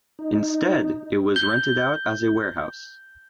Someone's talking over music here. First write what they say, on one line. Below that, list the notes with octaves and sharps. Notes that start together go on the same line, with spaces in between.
Instead it was rented out as a warehouse.
D#4
G6 G7